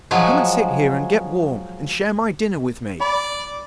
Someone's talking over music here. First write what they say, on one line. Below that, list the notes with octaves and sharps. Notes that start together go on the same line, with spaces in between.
Come and sit here and get warm, and share my dinner with me.'
F3 F#3 G#3
D5 B5